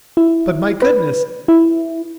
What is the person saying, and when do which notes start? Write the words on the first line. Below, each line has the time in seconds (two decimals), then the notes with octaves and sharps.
But, my goodness!
0.17 E4
0.82 B4
1.48 E4